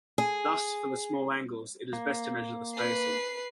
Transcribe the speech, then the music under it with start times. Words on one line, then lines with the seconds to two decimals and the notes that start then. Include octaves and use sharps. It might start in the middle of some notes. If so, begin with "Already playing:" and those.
Thus, for the small angles, it is best to measure the spacing.
0.18 G#4
1.93 A#3
2.75 B4 C7